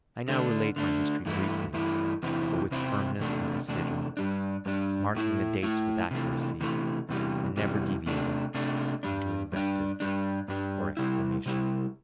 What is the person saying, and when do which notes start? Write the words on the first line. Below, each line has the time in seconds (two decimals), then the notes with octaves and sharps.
I now related my history briefly but with firmness and precision, marking the dates with accuracy and never deviating into invective or exclamation.
0.28 D3 A3 D4
0.76 D3 A3 D4
1.25 G2 E3 A3 E4
1.73 G2 E3 A3 E4
2.23 E2 C3 E3 C4 E4
2.71 E2 C3 E3 C4 E4
3.19 E2 C3 A3 D4
3.68 E2 C3 A3 D4
4.17 G2 G3 D4
4.66 G2 G3 D4
5.15 A2 A3 E4
5.63 A2 A3 E4
6.11 C3 E3 A3
6.61 C3 E3 A3
7.09 E2 C3 E3 G3
7.57 E2 C3 E3 G3
8.06 C3 A3 D4
8.54 C3 A3 D4
9.03 G2 G3 D4
9.52 G2 G3 D4
10.00 G2 G3 D4
10.48 G2 G3 D4
10.97 C3 G3 E4
11.46 C3 G3 E4